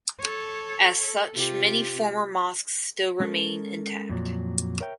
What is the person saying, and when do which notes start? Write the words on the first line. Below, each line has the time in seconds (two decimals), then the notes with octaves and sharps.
As such many former mosques still remain intact.
0.20 A4 C#5
1.05 A4
1.35 C3 F4 G4
3.20 G#3 C#4 D#4 F#4 A4 A#4
4.09 F2 A#2 F#3
4.80 A#4 C#5 E5 G5